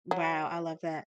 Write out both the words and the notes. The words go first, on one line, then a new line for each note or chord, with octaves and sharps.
wow, I love that.
F#3